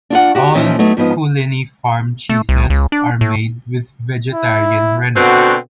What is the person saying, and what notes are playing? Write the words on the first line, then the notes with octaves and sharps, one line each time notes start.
All Cooleeney Farm cheeses are made with vegetarian rennet.
D4 F4 F#5
F#4 G4
D#2 A#2 E3 F3 C#4 D#4
F#3 A3 B3 D#4
G#2 F3 B3 D#4
A3
C2
C#2
D4
A2
E4
B2 D3 C4 F#4